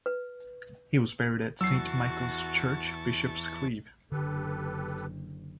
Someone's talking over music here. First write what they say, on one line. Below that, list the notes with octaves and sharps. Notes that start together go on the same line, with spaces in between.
He was buried at Saint Michaels church Bishops Cleeve.
B4
E2 F#3 F#4 A5 C#6 E6 C7
F#1 D3 G4 A4 B4